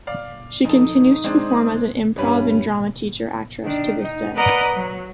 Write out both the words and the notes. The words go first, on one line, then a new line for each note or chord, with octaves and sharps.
She continues to perform as an improv and drama theater actress to this day.
D5 F5
F2 D#4 A4
G#3 C4 D4
G2 G3 C#4 B4
D#3 D4
D#4
A#4 B4 D5 D#5 F#5 A#5
F#3